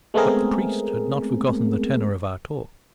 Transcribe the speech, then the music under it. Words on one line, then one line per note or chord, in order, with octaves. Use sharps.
But the priest had not forgotten the tenor of our talk.
G#3 A3 B3 C4 G#4 A#4